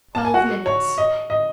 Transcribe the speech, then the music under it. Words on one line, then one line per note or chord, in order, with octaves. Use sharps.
Twelve minutes.
A5
G#5
F#4 F#5
C#5
D#5
D#5